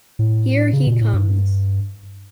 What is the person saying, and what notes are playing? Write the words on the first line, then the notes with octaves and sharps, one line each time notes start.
Here he comes.
A2
C#3
A#2
A2
G2